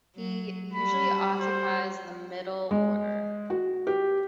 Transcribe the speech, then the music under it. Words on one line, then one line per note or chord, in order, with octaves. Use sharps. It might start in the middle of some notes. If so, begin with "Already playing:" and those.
He usually occupies the middle order.
F#3
G3 F#4 B5
C5
G#3
F#4
G4